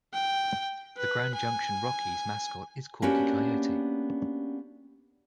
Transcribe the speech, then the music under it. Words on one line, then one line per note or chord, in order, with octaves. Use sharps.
The Grand Junction Rockies mascot is Corky Coyote.
G5
B4
G#5
A#3 B3 C#4 D4 F#4 G4